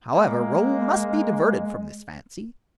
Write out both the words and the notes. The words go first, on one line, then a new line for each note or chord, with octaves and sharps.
However, Raoul must be diverted from this fancy.
G#3 A#3